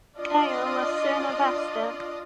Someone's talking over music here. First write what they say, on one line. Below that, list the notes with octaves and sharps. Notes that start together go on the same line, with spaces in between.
Kehl was soon arrested.
D4 F4 D5 D#5